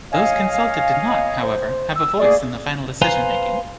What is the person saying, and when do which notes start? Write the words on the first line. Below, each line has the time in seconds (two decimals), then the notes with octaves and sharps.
Those consulted did not, however, have a voice in the final decision making.
0.12 C#5 D#5 F5 G#5
1.42 C5
1.96 E6
2.19 A3 A#3 G#4 D5
3.02 B4 C5 F5 G#5 A#5 C6